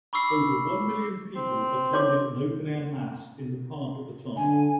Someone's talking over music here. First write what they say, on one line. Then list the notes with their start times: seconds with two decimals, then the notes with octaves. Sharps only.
Over one million people attended an open-air mass in the park at the time.
0.13 B5 C#6 D6 E6 C7
1.35 C4
1.94 C#5 C6 D6
4.36 D3 G#5